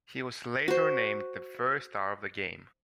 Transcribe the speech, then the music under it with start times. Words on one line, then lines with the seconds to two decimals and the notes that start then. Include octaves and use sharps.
He was later named the first star of the game.
0.68 F#4 C5